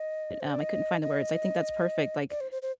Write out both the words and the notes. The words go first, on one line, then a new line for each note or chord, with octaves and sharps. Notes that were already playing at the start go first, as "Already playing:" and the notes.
um, I couldn't find the words. I think that's perfect, like
Already playing: D#5
C5
D5
D#5
D#5
D5
C5
C5
C5